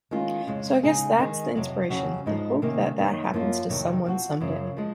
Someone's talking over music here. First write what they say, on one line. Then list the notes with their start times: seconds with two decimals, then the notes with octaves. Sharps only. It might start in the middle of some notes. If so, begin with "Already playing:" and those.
So I guess that's the inspiration-the hope that that happens to someone someday.
0.11 D#3 G#3 C#4 F4
0.47 F2 C#3 G#3
0.83 C#3 G#3 D#4 G#4
1.19 D#3 G#3 D#4 G#4
1.55 F2 C3 F#3
1.90 F2 C#3 F#3 C#4 F#4
2.26 G#2 F3 G#3 D#4
2.62 C3 D#3 A#3 C#4
2.98 F#2 D#3 A#3 D#4
3.33 F#2 F3 A#3 F4
3.69 F2 C3 D#3 F#3
4.05 F3 C4 F#4
4.41 F#2 C#3 F3
4.77 F3 G#3